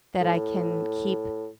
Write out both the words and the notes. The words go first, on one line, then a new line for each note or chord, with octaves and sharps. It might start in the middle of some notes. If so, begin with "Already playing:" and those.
that I can keep
A2